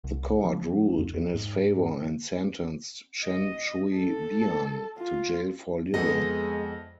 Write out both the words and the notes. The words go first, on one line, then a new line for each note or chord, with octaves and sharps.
The court ruled in his favor and sentenced Chen Shui-bian to jail for libel.
C2
F3
F2
E2
G#2
D#5
A4
F4
F2 G#3 B3 A4 D#5